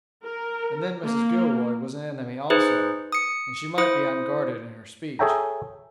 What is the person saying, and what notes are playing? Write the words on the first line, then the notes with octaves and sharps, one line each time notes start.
And then Mrs. Gilroy was an enemy also, and she might be unguarded in her speech.
A#4
A#3
D#4 G#4 B4 C5
D#6 C#7
E4 C5 D#6
G#4 A4 C#5 E5 G5 A#5